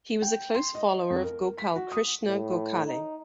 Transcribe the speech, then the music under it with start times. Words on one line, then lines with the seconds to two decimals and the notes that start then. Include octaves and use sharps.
He was a close follower of Gopal Krishna Gokhale.
0.22 G5
0.55 C6
0.75 D#5
1.10 F2
1.24 A#4
1.58 B6
1.76 F#4
1.92 D#6
2.26 A2
2.87 D#4